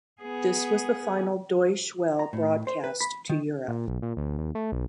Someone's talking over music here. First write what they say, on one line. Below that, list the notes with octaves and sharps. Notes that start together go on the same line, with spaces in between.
This was the final Deutsche Welle broadcast to Europe.
B3 G#4
A#5
A2
C5
B4
B5
D#3
A#2
B1
A#2
D2
D#2
A3
B1